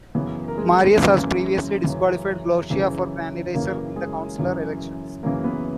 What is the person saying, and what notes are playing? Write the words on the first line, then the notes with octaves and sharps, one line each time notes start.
Marius had previously disqualified Glaucia for candidature in the consular elections.
F#2 C#3 E3 B3 B4
A#4
G#3 G#4
F#2 C#3 E3 A#3 A#4
F#2 C#3 E3
F#2 C#3 E3
F#2 C#3 E3 A#3 A#4
G#3 G#4
F#2 C#3 E3
F#2 C#3 E3 A#3 A#4
B3 B4